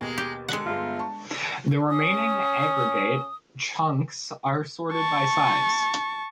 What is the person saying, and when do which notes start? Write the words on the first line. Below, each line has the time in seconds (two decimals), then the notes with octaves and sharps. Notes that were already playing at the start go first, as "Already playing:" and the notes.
The remaining aggregate chunks are sorted by size.
0.01 D#2 B2 G#3 A#3
0.18 G4
0.48 D3 G#3 F#5
0.66 G1 B3 F4 G#4
0.99 A5 C#6
1.90 C#4 D#6
4.93 A5 C#6